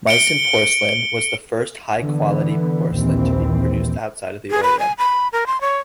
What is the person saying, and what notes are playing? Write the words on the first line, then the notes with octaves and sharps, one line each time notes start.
Meissen porcelain was the first high-quality porcelain to be produced outside of the Orient.
C#7 D7 G7
D3 E3 B3
A#1 D#2 E3 C4
G#4
B4
G#5
B5
A#4
C6
C#5